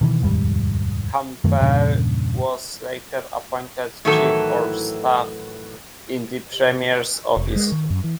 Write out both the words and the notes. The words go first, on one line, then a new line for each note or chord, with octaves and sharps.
Campbell was later appointed Chief of Staff in the Premier's Office.
B2 D#3 E3
F1 D#2 G#2 G3
F#2 D#3 A3
E2 G2 A#2 C#3
A2 D#3 E3 F#3 E4 A4
F1
G#3
D#3
F#2
E3